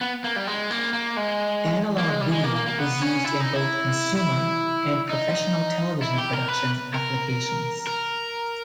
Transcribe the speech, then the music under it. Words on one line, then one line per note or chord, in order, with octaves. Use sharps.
Analog video is used in both consumer and professional television production applications.
B3
A#3
G3
G#3
A#3
A#3
G#3
A#3
G#3
G3
G#3
A#3
A#3
A#3
B3
C#4
E4
D#4
E4
E4
D#4
E4
G4
A#4
B4
A#4
A#4